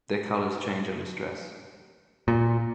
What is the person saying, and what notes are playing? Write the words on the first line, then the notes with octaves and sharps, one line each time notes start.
Their colors change under stress.
A#2